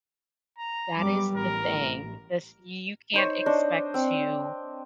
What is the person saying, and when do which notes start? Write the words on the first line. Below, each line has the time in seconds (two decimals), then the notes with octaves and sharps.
that is the thing. This you can't expect to
0.58 A#5
0.97 F#2 G3 B3 D6
1.37 A1 A#4
3.14 D#4 C5 C#5
3.46 D4 C5 D#5
3.94 C4